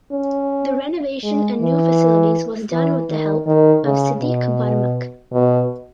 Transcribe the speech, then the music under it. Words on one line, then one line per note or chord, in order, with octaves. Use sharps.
The renovation and new facilities was done with the help of Siddiq Barmak.
C#4
G#3
E3
E3
D#3
D#3
C#3
B2
B2